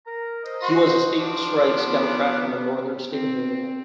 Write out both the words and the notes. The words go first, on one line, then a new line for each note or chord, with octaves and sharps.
He was a States-rights Democrat from a northern State of New England.
A#4 A#5
C5 D#5
F#4 C6
F3 D4
B3
C4